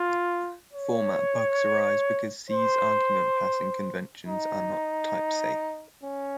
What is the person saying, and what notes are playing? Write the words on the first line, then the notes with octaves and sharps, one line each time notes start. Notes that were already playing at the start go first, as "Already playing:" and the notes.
Format bugs arise because C's argument passing conventions are not type-safe.
Already playing: F4
C#5
C5
D#4
C#4